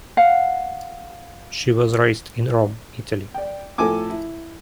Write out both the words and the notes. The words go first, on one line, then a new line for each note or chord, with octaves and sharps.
She was raised in Rome, Italy.
F5 F#5
D5 G5
A2 F3 A4 G#5 D6
E4